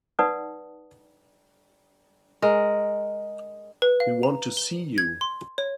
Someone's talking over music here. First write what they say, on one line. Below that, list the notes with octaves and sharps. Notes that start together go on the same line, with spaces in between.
We want to see you.
D#4 B4 D5 F#5 A5 D#6
G#3 A#4
B4
F5
A#5
G7
G#6
C6
C#5